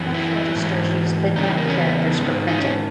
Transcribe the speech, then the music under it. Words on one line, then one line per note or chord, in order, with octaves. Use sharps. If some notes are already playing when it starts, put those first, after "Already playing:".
Cash registers use bitmap characters for printing.
Already playing: F#2 E3
E4
G#2 E3
E2 C#3 E3 D#4
A#3
C#4
B3
G#2 D#3
D#4
C#4